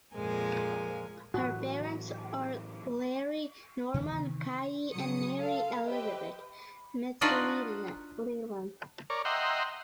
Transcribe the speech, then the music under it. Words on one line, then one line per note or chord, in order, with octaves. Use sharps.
Her parents are Larry Norman Kaye and Mary Elizabeth McLellan.
F2 A#2 F3 G#3 A#4 G#5
A2 E3 F#3 F#4
C3 D#3 E3 B3
C#3 F#3 D#6 C#7
A4 F5
G4 B4 C5 D#5 E5 G5
D4 D#4 F4 F#4 B4 D5
A#4 C#5 D5
D#5 E5 F#5 G5 A#5 C6